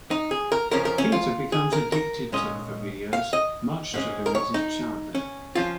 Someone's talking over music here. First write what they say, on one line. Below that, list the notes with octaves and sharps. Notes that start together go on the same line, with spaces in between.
Peter becomes addicted to the videos, much to Lois's chagrin.
D#4
G#4
A#4
C#2 C#3 F3 C#4 A#4
A#4
C#4
F4
G#4
A#4
A#4
A#2 G#3 C#4 D#5
F5
D#5
G#2 G#3 C#4
A#4
C#5
D#4
C#4
F3 C#4 F4